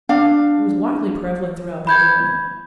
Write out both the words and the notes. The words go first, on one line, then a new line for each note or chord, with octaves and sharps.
It was widely prevalent throughout Babylonia.
D4 F5
B5 G6 G#6